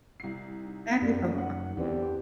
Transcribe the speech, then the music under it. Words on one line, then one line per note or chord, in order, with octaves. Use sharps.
That is a lot.
C2 C7
D#4
F#2 G3 D5
D#4 F#5
E2 D3 E3 C4 G4 D5